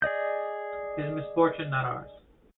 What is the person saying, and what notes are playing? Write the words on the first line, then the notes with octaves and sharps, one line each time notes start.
His misfortune, not ours.
G#4 D5 D#5 G6